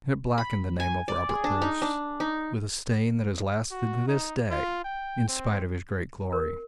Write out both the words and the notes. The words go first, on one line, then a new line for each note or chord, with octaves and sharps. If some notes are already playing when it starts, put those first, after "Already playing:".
And it blackened the name of Robert Bruce with a stain that has lasted to this day, in spite of his great glory.
B5
G#5
D5
G#4
D4
D#4
D4
D#4
F#4
D#4
F4
G5
C4
A#4